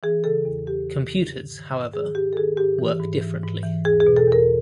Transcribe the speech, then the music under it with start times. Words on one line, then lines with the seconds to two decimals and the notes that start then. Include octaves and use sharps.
Computers, however, work differently.
0.03 E3 G#4
0.24 C#3 A4
0.45 E2
0.66 E2 G4
0.88 E3
1.10 C#3
1.31 G#2
1.51 D#3
1.72 G#2
1.94 D#3 G#4
2.15 G#2 G4
2.33 A4
2.36 D#3 G#4
2.57 G#2 G4
2.79 E3
3.00 G#2
3.21 E3
3.43 G#2
3.63 E3
3.85 E2 G#4
4.00 G#4
4.07 B2
4.17 A4
4.27 E2
4.32 A#4